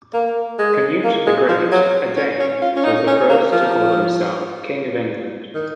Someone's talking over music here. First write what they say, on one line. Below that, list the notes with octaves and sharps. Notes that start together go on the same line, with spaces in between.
Canute the Great, a Dane, was the first to call himself "King of England".
A#3
G#3
A#3
G#3
F3
F#3
C#4
C#4
F4
C#4
D#4
C#4
A#3
F3
D#3